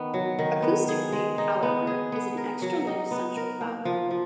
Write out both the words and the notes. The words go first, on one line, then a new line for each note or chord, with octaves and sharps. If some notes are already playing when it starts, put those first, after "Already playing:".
Acoustically, however, is an extra-low central vowel.
Already playing: D#3 B3
F#3
D#3
B3
G#4
G#3
D#4
B3
G#4
B3
A#4
F#3
D#4
B3
A#4
A#3
F3
F3